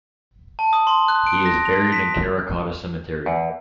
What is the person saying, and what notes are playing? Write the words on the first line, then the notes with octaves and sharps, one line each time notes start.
He is buried in Karrakatta Cemetery.
A5
D#6
C6
F#6
D7
A#6
F7
B6
E2